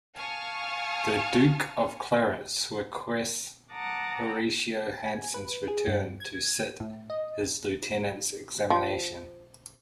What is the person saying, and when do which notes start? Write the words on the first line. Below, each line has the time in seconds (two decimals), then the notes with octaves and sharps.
The Duke of Clarence requests Horatio Hanson's return to sit his lieutenant's examination.
0.17 F5 G#5 A5 C#6 D#6 F6
3.72 F#5 A5 A#5 D6 D#6
5.06 G#5
5.34 B4
5.68 G#4
5.87 G2
6.20 G#6
6.80 A2
7.10 D#5
8.70 F3